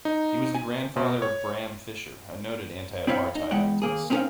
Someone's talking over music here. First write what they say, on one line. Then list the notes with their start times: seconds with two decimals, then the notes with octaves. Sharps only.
He was the grandfather of Bram Fischer, a noted anti-apartheid activist.
0.05 D#4
0.55 G#5
0.96 B2
1.22 C#5
3.07 C4 E4 C#5 F5
3.35 D#4
3.51 E2 G#3 E4 F#5 G5
3.82 D#2 A#3 G#4
4.10 C4 C#4 D#4 G#4 A#4 F5